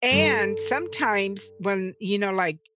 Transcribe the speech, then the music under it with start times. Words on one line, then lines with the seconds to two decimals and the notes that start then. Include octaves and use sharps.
and sometimes when, you know, like,
0.11 G2 D#3 G3 A4 E7